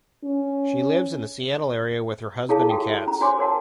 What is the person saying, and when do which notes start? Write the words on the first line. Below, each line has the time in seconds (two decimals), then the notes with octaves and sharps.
She lives in the Seattle area with her husband and cats.
0.24 C#4
2.49 E4 G#4 A4 C#5 F5 A5
2.69 F#4 G4 A4 F5 G5
3.07 C#4 A#5
3.21 F#4 C5 C#5 G#5 C6 D6
3.38 A#4 C#5 F#5 A5